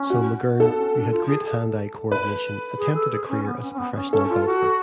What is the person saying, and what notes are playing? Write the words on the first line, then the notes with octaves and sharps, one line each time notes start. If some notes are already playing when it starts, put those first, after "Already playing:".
So McGurn, who had great hand-eye coordination, attempted a career as a professional golfer.
Already playing: C#4
F#4
B3 A4
C#4
D4
F4
G#4
B4
G#4
A4
G#4
C#4
B3
C#4
C#4
B3
C#4
C#4 A4
F4
F#4